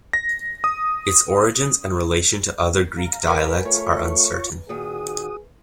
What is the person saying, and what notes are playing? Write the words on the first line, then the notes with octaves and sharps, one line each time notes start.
Its origins and relation to other Greek dialects are uncertain.
A#6
D#6
F5 A#5
A#4 B4 D#5 F#5 G#5
A3 F4 C#5 C#6
A#2 D#3 F#4 G#4 D#6